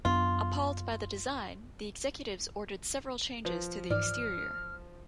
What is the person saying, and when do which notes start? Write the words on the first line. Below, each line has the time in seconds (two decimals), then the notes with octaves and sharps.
Appalled by the design, the executives ordered several changes to the exterior.
0.05 F#2 B3 D4 F4
3.45 F3 B4
3.90 G#2 E3 D5 F6